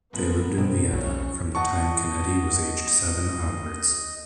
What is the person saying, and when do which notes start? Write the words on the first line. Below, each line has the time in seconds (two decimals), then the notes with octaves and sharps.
They lived in Vienna from the time Canetti was aged seven onwards.
0.13 F#1 F3 B3 A4 A#4 F#7
0.58 B2 C4
0.93 B1 G2 F3 C#4 C#5
1.55 D#5 F#5 A5 C#6